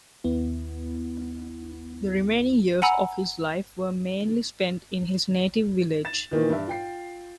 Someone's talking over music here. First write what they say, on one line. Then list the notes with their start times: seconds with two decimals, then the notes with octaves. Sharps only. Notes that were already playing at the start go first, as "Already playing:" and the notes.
The remaining years of his life were mainly spent in his native village.
0.24 D#2 B3 E4
2.82 F#5 G#5 A#5 B5 E6
6.05 A6 E7
6.31 A#2 D#3 E3
6.50 G2 E5
6.68 F4 G5 C7